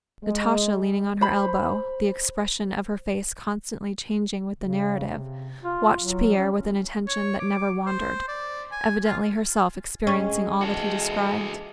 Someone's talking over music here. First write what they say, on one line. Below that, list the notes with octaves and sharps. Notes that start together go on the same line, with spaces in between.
Natasha, leaning on her elbow, the expression of her face constantly changing with the narrative, watched Pierre with an attention that never wandered--evidently herself experiencing all that he described.
G#3
C5 B5
C#3
C3
F4
F#3
C#4
C#5
D6
C5
D5
G#5
F4
G#3 C#4
E3 G#3 F#4 A4